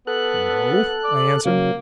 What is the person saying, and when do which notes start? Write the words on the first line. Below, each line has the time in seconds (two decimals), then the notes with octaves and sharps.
"No," I answered.
0.07 B3 A4 F#6
1.04 D5
1.45 C#3 F#3 A#3